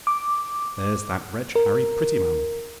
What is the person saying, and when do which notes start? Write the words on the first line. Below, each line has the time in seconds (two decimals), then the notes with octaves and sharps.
There's that wretch Harry Prettyman.
0.07 D6
1.56 A#4